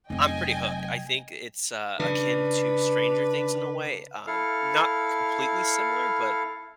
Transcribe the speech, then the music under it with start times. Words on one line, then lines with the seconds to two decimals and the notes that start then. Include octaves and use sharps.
I'm pretty hooked. I think it's, uh, akin to Stranger Things in a way, um, not completely similar, but,
0.10 F1 F#3 D#5 G5 G#5
2.00 C#3 D4 B4
4.27 E4 A4 F5 F6